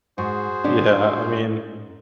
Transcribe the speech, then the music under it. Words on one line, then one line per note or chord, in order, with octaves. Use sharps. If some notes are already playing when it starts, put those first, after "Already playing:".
Yeah, I mean,
G#2 F#4 G#4 C5
G#2 C#4 D4